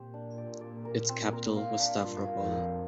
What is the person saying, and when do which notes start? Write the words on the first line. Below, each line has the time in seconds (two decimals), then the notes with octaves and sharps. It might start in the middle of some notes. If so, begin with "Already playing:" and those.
Its capital was Stavropol.
Already playing: A#2 C4 G4
0.14 D4
0.38 D5
0.61 D5
0.85 A#4
1.09 C4
1.33 A#4
1.57 F5
1.80 D4
2.04 G2 F4
2.27 A#3
2.40 F2
2.51 A#3